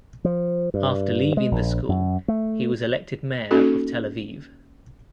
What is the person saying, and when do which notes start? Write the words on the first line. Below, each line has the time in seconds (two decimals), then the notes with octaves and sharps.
After leaving the school, he was elected mayor of Tel Aviv.
0.25 F3
0.74 G2
1.37 G#3
1.51 A#1
1.89 F#2
2.28 A3
3.51 A#3 C#4 D#4 F#4 A4